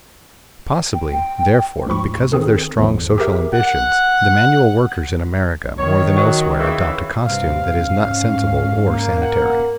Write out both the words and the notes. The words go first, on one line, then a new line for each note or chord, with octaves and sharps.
Possibly, therefore, because of their strong social ambitions, the manual workers in America more than elsewhere adopt a costume that is not sensible or sanitary.
G5
D2 G#2 F3 B5 C#6
D#3 C4 G#4 A4
G#1 E2 D3 F3
G4 G#4 A#4 E5
F#5
D#3 C#5
F#3
C#3 E3
G2 C3 F5
G#2 C#4
A#3
F#5